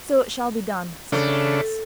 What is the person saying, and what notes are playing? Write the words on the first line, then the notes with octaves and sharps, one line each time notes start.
"So it shall be done!" said the Prince.
C#3 A3 D4